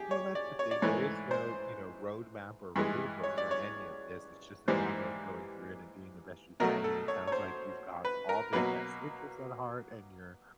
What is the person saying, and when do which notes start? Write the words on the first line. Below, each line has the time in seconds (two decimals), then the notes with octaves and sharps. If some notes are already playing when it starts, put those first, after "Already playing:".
Well, that's the thing, there is no, you know, road map or rule book for any of this, it's just a matter of going through it and doing the best you can, and it sounds like you've got all their best interests at heart and you're
Already playing: G4 G#4
0.11 C#5
0.35 D5
0.59 C#5
0.71 D5
0.82 G#2 E3 A3 C#5
1.31 C5
2.76 G2 E3 G#3
3.24 C#5
3.38 D5
3.51 C#5
4.68 G#2 E3 G3 A#3 C5
6.60 B2 F#3 A3 A#4
6.84 A4
7.08 C#5
7.27 C#5
7.32 C5
8.05 B4
8.29 A#4
8.53 B2 F#3 A#3 B4